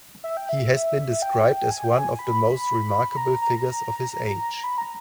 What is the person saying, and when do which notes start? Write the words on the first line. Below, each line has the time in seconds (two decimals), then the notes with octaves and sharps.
He has been described as "one of the most remarkable figures of his age".
0.24 E5
0.37 G5
0.49 E5
1.22 G5
1.71 G#5
1.84 G5
1.98 G#5
2.19 B5
3.17 A#5
3.42 A#5
3.66 A#5
4.64 B5
4.78 A#5